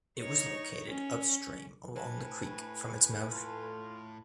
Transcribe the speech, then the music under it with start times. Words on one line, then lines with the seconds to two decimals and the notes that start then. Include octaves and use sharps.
It was located upstream along the creek from its mouth.
0.19 D#4 C#5
0.89 C#4
1.96 A2 C4 B4 G#5 A5
3.32 E2 F4 A4